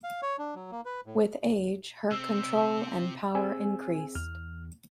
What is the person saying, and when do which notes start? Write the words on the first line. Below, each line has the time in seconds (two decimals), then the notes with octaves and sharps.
With age her control and power increased.
0.04 F5
0.22 C#5
0.38 D4
0.55 F#3
0.71 A#3
0.85 B4
1.06 A2
2.11 C3 C4 E6
3.35 C4 G#4 G#5 E6
4.15 E2 F6